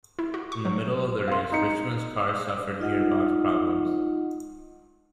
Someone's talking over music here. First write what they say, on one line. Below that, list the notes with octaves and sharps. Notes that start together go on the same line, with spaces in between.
In the middle of the race, Richmond's car suffered gearbox problems.
E4
F#4
C#6
F#3
F5 C6
D#4 C#7
G#3 D#4 F4 D#5 F#5